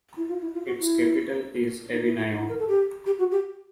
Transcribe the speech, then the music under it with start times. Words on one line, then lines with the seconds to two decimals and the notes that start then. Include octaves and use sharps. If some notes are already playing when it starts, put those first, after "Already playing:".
Its capital is Evinayong.
0.17 E4
0.29 F4
0.41 E4
0.54 F4
0.66 F#4
0.80 E4
1.93 D#4
2.05 E4
2.18 E4
2.31 D#4
2.39 E4
2.49 A#4
2.59 A4
2.68 G4
3.06 G4
3.19 F#4
3.31 G4